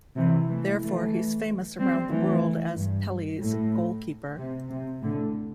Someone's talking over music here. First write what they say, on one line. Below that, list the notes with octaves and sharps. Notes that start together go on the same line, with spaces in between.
Therefore, he's famous around the world as Pele's goalkeeper.
C3 E3
E3 A3
E3 A3
G3 C4
E3 A3
G2
A2
C3
C3
A2 D3